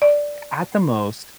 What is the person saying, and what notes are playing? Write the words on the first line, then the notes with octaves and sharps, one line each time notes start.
at the most,
D5